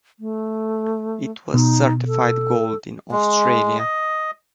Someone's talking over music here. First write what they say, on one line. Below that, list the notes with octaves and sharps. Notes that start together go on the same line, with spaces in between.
It was certified Gold in Australia.
A3
B2 D#4
A4
G#3
D#5